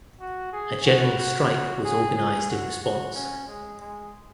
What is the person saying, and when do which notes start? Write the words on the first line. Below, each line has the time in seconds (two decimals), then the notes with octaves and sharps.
A general strike was organized in response.
0.20 F#4
0.52 G#4
0.85 F#4
1.18 F#4
1.50 F#4
1.84 G#4
2.16 G#4
2.50 F#4
2.82 F#4
3.14 C#4
3.47 G#3
3.80 G#3